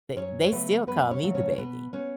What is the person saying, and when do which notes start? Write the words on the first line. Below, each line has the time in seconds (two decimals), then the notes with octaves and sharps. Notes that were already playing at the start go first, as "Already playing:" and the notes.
they they still call me the baby.
0.16 F#2 C#4 C#5
0.46 C#5
0.52 C#3 F#3 A3 B3 B4
0.87 F#2 B3 B4
1.11 C#4 C#5
1.22 C#3 F#3 A3
1.35 C#4 C#5
1.53 C#5
1.58 B2 B3 B4
1.93 B3 C#4 C#5